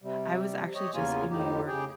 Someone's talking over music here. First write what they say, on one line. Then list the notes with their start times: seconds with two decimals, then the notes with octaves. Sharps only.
I was actually just in New York,
0.02 C3 G3
0.75 G4 C#5 D#5
0.94 E2 C#3 A#3 C#4 F4 G#5
1.31 F2 A2 D#4 G4
1.67 C#3 G4 G#4 G5